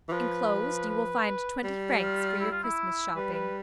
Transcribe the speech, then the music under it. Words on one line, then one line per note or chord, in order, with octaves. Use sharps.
Enclosed you will find twenty francs for your Christmas shopping.
E3
F3 B4
B4
G3
F4
E4
F4
E4
G3 B4
B4